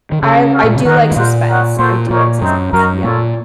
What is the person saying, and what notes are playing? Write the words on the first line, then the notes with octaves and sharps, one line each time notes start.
I I do like suspense I do like suspense, yeah.
D#3
C#3 C#4 F4 A4
F#4 A4 C#5 F5
A#2
C#3
D#3 D#4 A#4 C#5 F#5
A2
A#2 F4 C5 D#5 F#5
C4 D#4 A#4 C#5 F#5
A#2 F#4 A4 C5
A#2 A#3 D#4 A#4 C#5
F#2 A3 C4 D#4
F#2 D#4 F#4 A#4
A#2 F4 A4 C#5